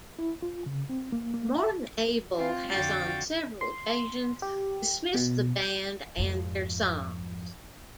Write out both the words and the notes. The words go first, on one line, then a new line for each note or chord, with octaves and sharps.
Morten Abel has on several occasions dismissed the band and their songs.
E4
F4
C#3
C4
A#3
A#3
E5
C4 F4
F2 D3 F#4 F5 G5 A6
C6
G4
B2
G6
F2 G#2